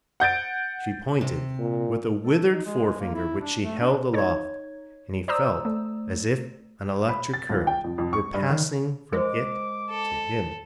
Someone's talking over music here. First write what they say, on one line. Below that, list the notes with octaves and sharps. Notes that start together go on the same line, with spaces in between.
She pointed with a withered forefinger which she held aloft and he felt as if an electric current were passing from it to him.
F#5 G6 A6 D7
C3
A#2
A4
D#4
G#3
A#3
E4
D4
A3
D4
D#4 C#5 G#6
C5 D5 A#5 D#6 E6
A3
B5
A6
C#2
G5
F2
F2
C#6
G2
D#3
G#3 A#4 C5 D6
A4